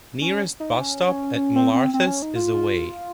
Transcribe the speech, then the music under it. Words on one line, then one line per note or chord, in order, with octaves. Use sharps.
Nearest bus stop at Mollarthes is away.
C#4
D#4
C#4
C#4
C#4
C4
C4
C4
C#4
D#4
F4